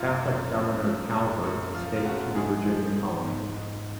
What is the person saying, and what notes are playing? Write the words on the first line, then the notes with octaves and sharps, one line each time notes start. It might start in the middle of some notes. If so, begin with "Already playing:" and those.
Catholic Governor Calvert escaped to the Virginia Colony.
Already playing: F#2 F4
F#2
F3
F3
F#2
F#2
F3 F4
F4
A3 F#4
G#2 G#4
F3
G#2
G#2
G#2